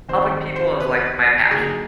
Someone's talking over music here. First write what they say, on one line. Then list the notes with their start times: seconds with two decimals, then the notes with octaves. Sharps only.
helping people is, like, my passion,
0.08 G2 D#3 G3 C4 D#4 C5
0.56 C5
0.80 B4
1.51 G2 D3 F#3 A#3 D#4 G#4